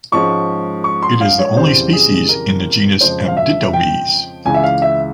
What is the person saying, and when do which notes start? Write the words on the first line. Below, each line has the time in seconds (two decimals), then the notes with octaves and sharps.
It is the only species in the genus Abditomys.
0.12 G#2 F3 G#3 C#4 C#6
0.84 C#6
1.02 C6
1.21 F5
1.39 C#5
1.57 F2 C#3 E3 G3 C4 C5
1.93 G#4
2.29 A#4
3.01 F2 C#3 F3 G#3 C5
3.28 F5
3.37 E5
3.73 G5
4.45 C#2 C#3 E3 G#5
4.54 E5
4.63 F5
4.82 E5